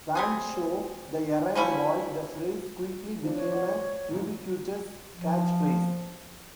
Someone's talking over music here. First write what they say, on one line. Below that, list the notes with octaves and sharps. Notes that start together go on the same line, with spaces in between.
Van's show, "The Errand Boy": The phrase quickly became a ubiquitous catch-phrase.
G3 C4 G#4
F3 G3 C#4 E4
F3 C4 D4
C#5
D5 F#5
C2 G#2
F3